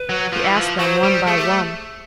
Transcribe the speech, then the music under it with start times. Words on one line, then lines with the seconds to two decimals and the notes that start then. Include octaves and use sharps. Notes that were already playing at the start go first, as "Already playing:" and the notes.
He asked them one by one.
Already playing: B4
0.09 F#3
0.32 F3
0.44 E3
0.56 F3
0.79 F#3 C5
1.03 G3
1.26 A3 G#4
1.38 G4